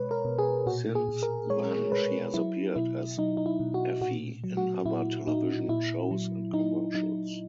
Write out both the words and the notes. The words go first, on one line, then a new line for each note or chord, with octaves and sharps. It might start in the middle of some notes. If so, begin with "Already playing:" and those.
Since then she has appeared as Effie in other television shows and commercials.
Already playing: B2 G#3 B4 C#5
A#4
B2
G#4
A#2 F#4
G#4
A#2
A#4
G#3 C#5
G#3 B4
F#3 E4
B2 E4
F#3 D#4
D#4
E4
B2
F#4
A#2 F#4
F#3
F#4
A#2 E4
A#2 D#4
A#2 E4
F#3
F#3 D#4
F#3 D#4